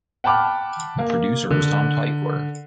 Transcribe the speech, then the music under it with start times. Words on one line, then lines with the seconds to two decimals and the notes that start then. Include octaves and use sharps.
The producer was Tom Tykwer.
0.24 F#5 G5 A5 B5 D6 F6
0.99 A#3
1.51 D3